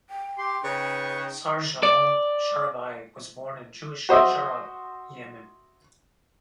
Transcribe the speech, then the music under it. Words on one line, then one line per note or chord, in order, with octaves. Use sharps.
Sar Shalom Sharabi was born in Jewish Sharab, Yemen.
G5
G4 C6
C#3 D#4 B4 C#6
D5
F#4 C5 D#5 E5